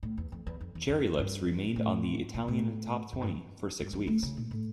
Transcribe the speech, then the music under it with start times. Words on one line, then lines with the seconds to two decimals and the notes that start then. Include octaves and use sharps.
"Cherry Lips" remained on the Italian top twenty for six weeks.
0.03 A2
0.18 E2
0.32 F2
0.47 E2
0.61 F2
0.75 E2
0.89 F2
1.19 G2
1.76 A2
2.34 A#2
2.48 A2
3.13 F2
3.21 G2
3.79 G2
3.93 F3
4.07 A3
4.23 C#3
4.37 A#2
4.51 A2